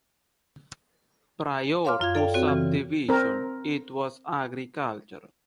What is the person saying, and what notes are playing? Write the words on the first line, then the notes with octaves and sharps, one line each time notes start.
Prior to subdivision, it was agricultural.
C#5 F5 C6 D6 F6
F#2 F4 F5 G#6
A4 D5 F5 G5
C4 F#4 C#5
C#3 E3
C4 A#4